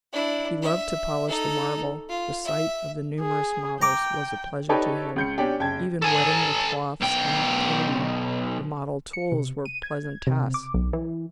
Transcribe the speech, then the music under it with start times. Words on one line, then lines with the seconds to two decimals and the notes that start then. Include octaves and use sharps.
He loved to polish the marble; the sight of the numerous models was a pleasure to him; even wetting the cloths and cleaning the model tools were pleasant tasks.
0.13 D4 E4
0.62 E5
1.28 D#4 A4
2.09 F4
2.45 E5
3.20 G#4
3.82 G5 A#5 D6
4.69 D#4 G4 A4 B4 C#5 D5
5.16 C#2 G6 C#7
5.38 B2 C#4 D4 G4
5.59 F#1 G5 A5 G#6
6.02 A4 G#5
7.01 B1 G5
9.13 C#7
9.32 C3
9.65 D#7
9.83 G#6
10.27 C3
10.54 D6
10.74 B1
10.93 E3